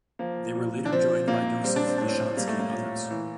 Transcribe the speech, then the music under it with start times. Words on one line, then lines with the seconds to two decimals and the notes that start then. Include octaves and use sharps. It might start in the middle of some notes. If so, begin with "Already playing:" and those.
They were later joined by Yosef Lishansky and others.
0.19 F3 A#3
0.55 A#2
0.85 D4
0.92 F3 C4
1.28 A#2 A#3
1.64 G3 C4
1.76 D4
1.87 C4
1.98 A2 D4
2.09 C4
2.37 G3 A#3
2.48 A3
2.59 A#3
2.73 A#2
3.10 E3